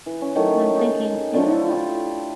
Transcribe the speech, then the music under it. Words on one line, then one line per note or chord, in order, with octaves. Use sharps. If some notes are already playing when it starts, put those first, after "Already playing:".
and I'm thinking, "Ew!"
E3
C#4
D#3 F#3 A3 E4
D#4 G#4 A4
D3 F3 F#3 A3
E4 F4 G4